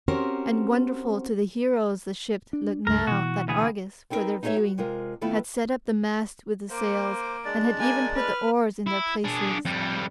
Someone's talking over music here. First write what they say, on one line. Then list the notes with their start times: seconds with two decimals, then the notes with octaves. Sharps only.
And wonderful to the heroes the ship looked now that Argus, for their viewing, had set up the mast with the sails and had even put the oars in their places.
0.08 C4 C#4 F#4 G4 A#4 C5
2.53 D4
2.87 C#2 G2 A3 A#4
3.07 B2 E3 F#4
3.48 D2 B3 G#4
4.10 B3 C4 D#4 F#4 A#4 B4
4.43 D#4 E4 G#4 B4 C#5 E5
4.56 F#4
4.78 C3 G#3 F4 A#4
5.21 D#3 A3 B3 E4 F4 B4
6.70 A#3 C5 D6
7.45 G#3 D4 D5
7.79 A#3 G#5
8.16 B4 F6
8.87 E4
9.24 D4 G#4
9.65 F2 G3